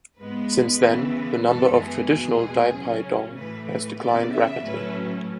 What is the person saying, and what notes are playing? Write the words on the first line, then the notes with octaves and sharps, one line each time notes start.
Since then, the number of traditional "dai pai dong" has declined rapidly.
G#2 G#3 B3 B4
C#3 E3 B3
F#2 E3 G#3 B3 A4
G#4
E2 B2 G#3 B3 G#4
C#3 F#3 C#4
A2 E3 A3 B4
B4
C#3 E3 B3 D5
E5
A2 F#3 A3 C#4 B4